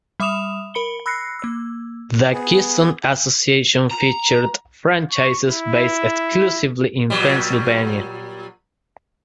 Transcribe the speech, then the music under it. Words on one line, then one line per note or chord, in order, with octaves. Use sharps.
The Keystone Association featured franchises based exclusively in Pennsylvania.
G3 E5 D6 D#6 E7 F7
A#4 B5 C#7 G7
B5 E6 F#6 A#6 C7 C#7
A#3 E6
B3 G#4
A#5
C#6
E4
A#2 F#3 G3